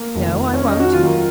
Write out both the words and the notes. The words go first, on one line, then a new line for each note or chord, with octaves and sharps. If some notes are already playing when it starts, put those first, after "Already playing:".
No, I won't.
Already playing: A#3
F1 F2 D#3
C#4
D#4
F#4
D#2 D#3 F#3 F4
A#4